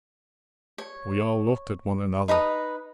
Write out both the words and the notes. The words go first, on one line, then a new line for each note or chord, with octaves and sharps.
We all looked at one another.
C#5
D#4 B4 A#5 D#6